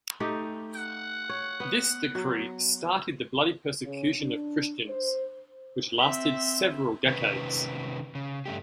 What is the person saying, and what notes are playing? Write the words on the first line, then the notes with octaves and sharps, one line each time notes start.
This decree started the bloody persecution of Christians, which lasted several decades.
A3 D#4 G4
F#5
C#5
B3
F#3
C#3
D4
C5
C4 E5
C3 D#3 C#4 B4
C#3
G2 A3 G4